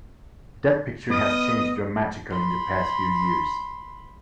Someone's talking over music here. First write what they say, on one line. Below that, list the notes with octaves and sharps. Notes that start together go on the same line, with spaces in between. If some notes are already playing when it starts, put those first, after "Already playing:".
That picture has changed dramatically in the past few years.
B3 D#5 D#6 F6
B5 C6